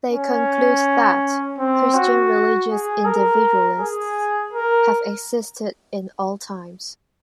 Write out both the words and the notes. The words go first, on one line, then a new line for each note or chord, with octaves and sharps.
They conclude that Christian religious individualists have existed in all times.
C#4
C4
F#4
G#4
A#4
G#4
A#4